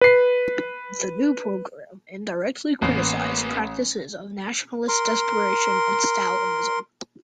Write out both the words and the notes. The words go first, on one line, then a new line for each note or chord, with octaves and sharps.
The new program indirectly criticized practices of nationalist desperation and Stalinism.
B4 C7
A1 A#3 B3
A#4 C6